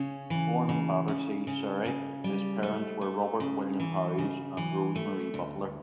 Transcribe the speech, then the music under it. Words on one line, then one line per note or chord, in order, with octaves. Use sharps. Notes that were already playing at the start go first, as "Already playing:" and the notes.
Born in Battersea, Surrey, his parents were Robert William Howes and Rose Marie Butler.
Already playing: C#3 C#4
E3
C#3
C#3
C#3
C#3
G3
A3
A3
C#3
E3
C#3
E3
A3
D2